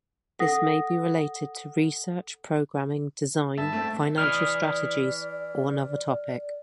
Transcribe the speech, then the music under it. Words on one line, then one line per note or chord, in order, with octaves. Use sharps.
This may be related to research, programming, design, financial strategies or another topic.
A4 F#5 D#6 A#6
G2 E5 A5
A3 C4
E3 E4 D5 D#5 F6